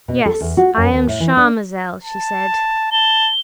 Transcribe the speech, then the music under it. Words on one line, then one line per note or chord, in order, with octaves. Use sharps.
"Yes, I am 'Charmazel,'" she said.
B2
A4
E2
F#4
F#2
D#2
A2
E3
D4
A5
A5 G7